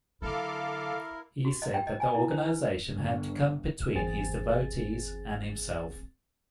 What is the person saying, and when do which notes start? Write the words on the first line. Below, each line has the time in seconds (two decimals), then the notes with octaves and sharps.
He said that the organization had come between his devotees and himself.
0.22 D3 F#3 E4 A4 A#4 F5 D6
1.45 F#4
1.62 D#5
1.74 G5
1.87 D#5
2.00 G#5
2.15 E4
2.31 C5
2.45 B4
2.94 G1
3.94 G1 E2 C4 G#4 A6